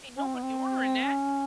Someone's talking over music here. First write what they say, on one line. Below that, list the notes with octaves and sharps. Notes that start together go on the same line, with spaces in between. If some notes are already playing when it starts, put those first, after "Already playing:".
Ain't nobody ordering that."
C#4
C4
B3
C4
C#4